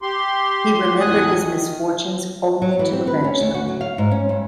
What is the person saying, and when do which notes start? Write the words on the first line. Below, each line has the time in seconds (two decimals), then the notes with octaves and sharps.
He remembered his misfortunes only to avenge them.
0.02 G4 C6
1.00 E2 A2 G#5 D#6 F#6
1.42 D#3
2.62 F#3
2.79 E3
2.93 C4
3.07 B4
3.24 C#4
3.40 D2
3.54 F#4
3.68 F#3
3.81 F5
3.98 G#2
4.11 C#4
4.29 G2